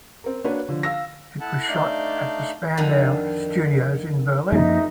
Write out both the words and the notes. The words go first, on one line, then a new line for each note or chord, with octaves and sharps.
It was shot at the Spandau Studios in Berlin.
C4 A#4
A#3 D4 F#4 B4 C#5
D3 F3
F5 E6 A#6
E4 A4 F#5 A5
A3 D4 D#4 D5 F5 G6
F2 D3 D#3
F#2 F3 A#3 D#4 D#5 E5